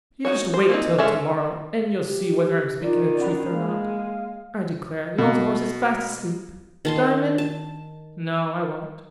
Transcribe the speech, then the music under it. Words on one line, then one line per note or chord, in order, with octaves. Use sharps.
"You just wait till to-morrow, and you'll see whether I'm speaking the truth or not.--I declare the old horse is fast asleep!--Diamond!--No I won't."
D#4 F4 F#4 C#5
C5
A#3 C4 D#4
G#3 C#4 F4 A4 E5
G4
D#3 F4 D5
C#4 F#5 B5
G#3 A#3 F5
B2
D#3 A5 C6
A5